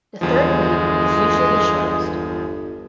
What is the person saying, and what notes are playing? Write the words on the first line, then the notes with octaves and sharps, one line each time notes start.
The third beat is usually the shortest.
G1 E2 F3 G#3